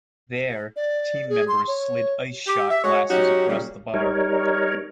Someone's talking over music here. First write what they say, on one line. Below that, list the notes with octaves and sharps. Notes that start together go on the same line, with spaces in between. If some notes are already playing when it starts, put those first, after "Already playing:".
There, team members slid ice shot glasses across the bar.
D5
G#4
C6
C#5
G4
E5
G#3 F#4 C#5
F#3 C#4 D#4 F#4 G4
A#2 C#3 F#3 G3
G3 D#4 A#4 C#5